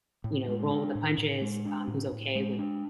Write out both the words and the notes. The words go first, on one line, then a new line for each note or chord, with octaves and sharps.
you know, roll with the punches, um, who's okay with,
A2
G#3
D4
A2
A2
G#3
D4
A2
A2
G#3
D4